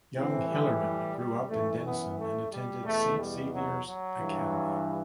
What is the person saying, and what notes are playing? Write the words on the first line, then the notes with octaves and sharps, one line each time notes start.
Young Hillerman grew up in Denison and attended Saint Xavier's Academy.
A2 E3 C4
G3
G3
F#2 E3 A3
B3
A3
G3
E2 B2 A3
G3
F#3
F#3
G2 E3